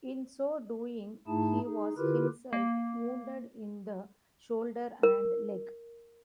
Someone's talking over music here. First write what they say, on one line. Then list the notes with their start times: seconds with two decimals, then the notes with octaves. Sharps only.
In so doing he was himself wounded in the shoulder and leg.
1.28 G#2 A3 D#4 E4 G#4 A5
1.66 D#4 G#4
1.98 D3 E4 F4 G4 A#4 B4
2.53 A#3
5.03 A#4